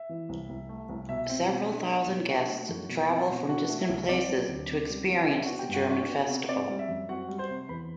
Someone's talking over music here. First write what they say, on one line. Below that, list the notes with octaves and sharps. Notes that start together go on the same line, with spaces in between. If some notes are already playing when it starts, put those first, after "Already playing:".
Several thousand guests travel from distant places to experience the German festival.
Already playing: E5
E3
C2
C2
A3
C2
B2 E5
C4
B2
D4
B3
B2
D4 F#4 F#5
A3
F#2
B2
C4
B2
D4 F#4 F#5
A3
E5
C2
C4 D5
F#3
D2
C3
G3
C3
D4 E5
B3 F#4 F#5
G4 G5
G2 F#4 F#5
D4 F#4 F#5
B3
C3
C4 D5
G3
E5
F#2
C4 F#4 F#5
G3
C5 C6
C3
E2 B4 B5